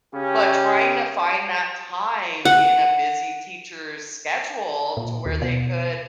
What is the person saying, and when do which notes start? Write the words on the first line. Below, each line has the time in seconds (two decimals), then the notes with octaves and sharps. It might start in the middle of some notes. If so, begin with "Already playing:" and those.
but trying to find that time in a busy teacher's schedule to where they could
0.14 C#3 C#4 G4
2.45 F#5
4.97 A#2
5.26 D#2
5.42 B2